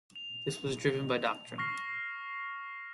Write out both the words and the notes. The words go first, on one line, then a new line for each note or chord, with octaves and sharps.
This was driven by doctrine.
F7
C#6 F6 A#6 C7